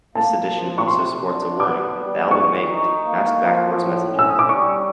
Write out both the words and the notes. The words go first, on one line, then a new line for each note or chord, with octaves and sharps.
This edition also sports a warning that the album may contain masked backwards messages.
A#3 A5
F3
C#6
C3 C6
D4
B3 D6
G3
E3 C#6
D#4
A#3
F3
A2
C#4
E6
D#6
D6
G3 C#6